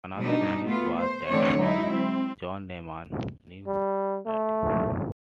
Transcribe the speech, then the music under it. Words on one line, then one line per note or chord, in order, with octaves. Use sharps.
Another view was that from John Lehmann's "New Writing".
B2 G3 D4 D#4
A3 B3 F4
C5
D3 E3 A3 C4 D4 C#5
F#3 G#3 D#4 E4
C4
G3
A3